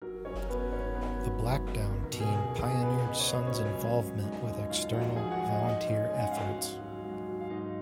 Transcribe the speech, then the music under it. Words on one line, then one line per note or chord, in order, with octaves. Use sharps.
The Blackdown team pioneered Sun's involvement with external, volunteer efforts.
F#3 A#4
F#3 C#4 C#5
A#4
F#3 B3 B4
G#1 C#4 C#5
G#1 B3 B4
F#3
G#2
G#1
C#2 A#4
A#4
B2
G#4
C#2 A#4
B2 G#4
B3 C#4 B4
C#2 D#5
C#5
C#2 B4
C#4 C#5
F#3
G#3
G#3
G#3 D#4 D#5
D#2
D#2 F4 F5
F3 F#4 F#5
F3 G#4 G#5
F#4 F#5
G#3
D#4 D#5
G#2 D#4 D#5
C#4
G#2 G#5
F#5
G#2 F5
F#4 F#5
G#2
F#3
G#2
F#3
F5
G#2 D#4 D#5